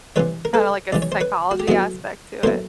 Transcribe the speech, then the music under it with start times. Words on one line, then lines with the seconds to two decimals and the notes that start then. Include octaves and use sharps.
kinda like a psychology aspect to it.
0.16 C3 E3 G3 B4 C#5
0.45 A#4
0.54 A4 B4
0.92 C3 E3 G3 D5
1.02 C#5
1.12 C5
1.20 B4 C#5
1.51 F#4
1.60 G4
1.68 A2 F#3 B3 E4 F#4 G#4
2.43 A2 F#3 B3 E4 A#4 C5